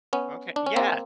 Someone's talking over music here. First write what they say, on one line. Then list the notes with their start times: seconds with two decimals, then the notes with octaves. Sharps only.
Okay, yeah.
0.13 B3 C#4
0.56 D4
0.66 C#4
0.76 A#3 C4